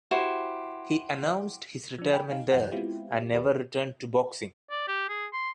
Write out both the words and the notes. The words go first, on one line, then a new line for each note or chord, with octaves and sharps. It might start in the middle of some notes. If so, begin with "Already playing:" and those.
He announced his retirement there, and never returned to boxing.
E4 F#4 G4 C5
F3 D4
G5 G#5 B5
D#4 F5
F#2 E3 F4 F#5 G6
G#3 B3 C4 E4 F4 G4
D#2 G4 B4
D5
G4
G#4
C6